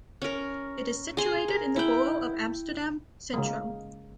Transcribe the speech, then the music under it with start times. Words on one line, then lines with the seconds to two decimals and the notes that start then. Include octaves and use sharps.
It is situated in the borough of Amsterdam-Centrum.
0.22 C#4 A#4
1.17 G#4 C6
1.48 A#4
1.76 E4 G5
3.34 C#3 G#3 A#3